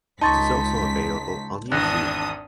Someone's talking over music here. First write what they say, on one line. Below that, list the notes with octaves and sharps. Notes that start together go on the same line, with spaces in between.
It is also available on YouTube.
C#2 D#4 D#5 A5 C6 C#6 A6 B6
G#1 E2 D4 D#6 F#6 A#6